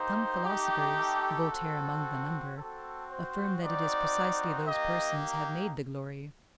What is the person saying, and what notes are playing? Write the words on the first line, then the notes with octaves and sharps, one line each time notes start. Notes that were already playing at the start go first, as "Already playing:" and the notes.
Some philosophers--Voltaire among the number--affirm that it is precisely those persons have made the glory.
Already playing: A#3 D#4 G4 C5
A3 D#4 G4
A4
C4 F#4
C4 F#4 A4
C5
C4 D#4 F#4 D5
A#3 D#4 G4 D#5